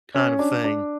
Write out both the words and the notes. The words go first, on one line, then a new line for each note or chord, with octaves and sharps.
kind of thing,
C#4
D4
D4